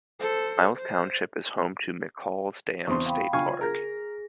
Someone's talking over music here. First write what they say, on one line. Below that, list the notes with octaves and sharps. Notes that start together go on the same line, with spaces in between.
Miles Township is home to McCalls Dam State Park.
A4 C5
C5
E2 C4 C6 C#6 D#6
F5 G5 B5
F4 F5 G#5 C#6 F6 G#6
G#4 A#4 A#6